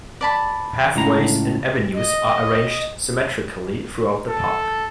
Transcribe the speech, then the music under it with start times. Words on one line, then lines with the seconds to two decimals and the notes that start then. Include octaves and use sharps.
Pathways and avenues are arranged symmetrically throughout the park.
0.21 D5 A5 B5
0.96 C#2 A2 A#5
1.95 D#5
4.29 A4